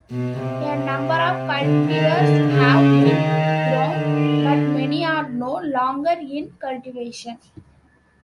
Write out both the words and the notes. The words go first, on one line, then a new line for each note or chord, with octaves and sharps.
A number of cultivars have been grown but many are no longer in cultivation.
B2
C3
D3
D#3
D3
C#3
D#3
D3